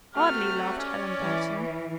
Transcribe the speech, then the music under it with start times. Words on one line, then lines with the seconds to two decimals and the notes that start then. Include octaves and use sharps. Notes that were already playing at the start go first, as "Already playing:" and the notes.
"Hardly," laughed Helen Burton.
0.15 C3 A3 F#4 F6
0.78 C#4 D5
1.19 E3